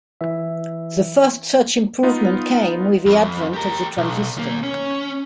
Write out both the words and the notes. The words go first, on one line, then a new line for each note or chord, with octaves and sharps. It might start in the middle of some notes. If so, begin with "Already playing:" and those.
The first such improvement came with the advent of the transistor.
E3 E5
B3 D#4 F4
F2
G4 A#4
B1
D#3 A#3
C#4